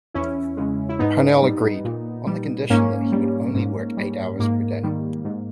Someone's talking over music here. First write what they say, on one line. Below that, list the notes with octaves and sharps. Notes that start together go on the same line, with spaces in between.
Parnell agreed, on the condition that he would only work eight hours per day.
E2 C#4 E4
C#3 G#3
E4
G#2 B3 D#4
G3
A#2
G3
G#2 A#3 C#4
G3
G#2
G3
G#2 A#3
D#3 G3
G#2